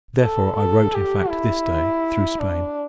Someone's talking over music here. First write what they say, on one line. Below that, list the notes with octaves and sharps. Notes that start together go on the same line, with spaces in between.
Therefore, I wrote, in fact, this Day, through Spain.
A4
A4
G4
E4
D4